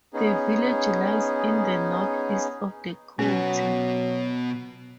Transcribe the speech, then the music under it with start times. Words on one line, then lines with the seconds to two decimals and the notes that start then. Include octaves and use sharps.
The village lies in the north east of the county.
0.14 B3 C#4 D#4 G#4
3.19 B2 F#3 B3 C#4